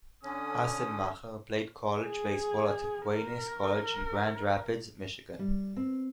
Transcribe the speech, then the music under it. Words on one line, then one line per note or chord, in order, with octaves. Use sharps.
Assenmacher played college baseball at Aquinas College in Grand Rapids, Michigan.
D3 C#4 D#6
G#4
A#4
G3
C4